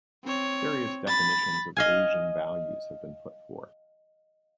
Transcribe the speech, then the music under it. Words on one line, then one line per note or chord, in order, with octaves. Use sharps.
Various definitions of "Asian values" have been put forth.
C4 C#5
B5 A6
D#5 F5 G#5